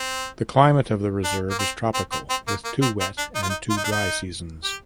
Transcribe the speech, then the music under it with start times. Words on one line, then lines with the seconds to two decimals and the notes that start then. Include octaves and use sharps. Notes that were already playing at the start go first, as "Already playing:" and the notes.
The climate of the reserve is tropical with two wet and two dry seasons.
Already playing: C4
1.24 D4
1.50 A#3
1.59 C4
1.95 C4
2.12 C4
2.30 C4
2.48 A#3
2.65 A#3
2.82 C4
3.01 C4
3.18 D4
3.35 D#4
3.43 F4
3.50 D#4
3.70 F4
3.77 D#4
3.84 D4
3.92 D#4
4.64 G4